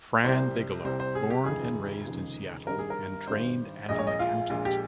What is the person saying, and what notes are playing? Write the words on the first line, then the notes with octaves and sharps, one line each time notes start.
Fran Bigelow born and raised in Seattle and trained as an accountant.
C2 C3 G3 C5
C2 C3 G3 C5
C5
G#4
G4
F1 D#2 C#3 F3 G#3 G#4
F1 D#2 C#3 F3 G#3
G#1 G2 G3 A#4
G#4
A#4
G#1 G2 G3 C5
A#1 A#2 G#3 D#5
C#5
D#5
F4
A#1 A#2 G#3 F4
G4